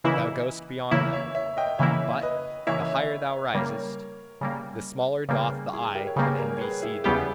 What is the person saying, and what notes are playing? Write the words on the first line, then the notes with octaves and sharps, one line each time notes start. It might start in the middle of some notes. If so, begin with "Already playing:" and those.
Thou goest beyond them: but the higher thou risest, the smaller doth the eye of envy see thee.
C#3 E3 A#3 E4 B4 D#5
C#3 E3 A#3 E4 C#5 E5
C#5 E5
C#5 E5
D#5 G5
C#3 E3 A#3 E4 C#5 E5
B4 D#5
C#3 E3 A#3 E4 C#5 E5
C#3 G3 A#3 A#4 C#5
C#3 G3 A#3
C#3 G3 A#3 G#4 B4
E4 G#4
G4 A#4
C#5
C#3 G3 A#3 G#4 B4
A#4 C#5
C#5
G#4 B4
E4 G#4
E2 C#3 G3 B3 E4 G4 G#4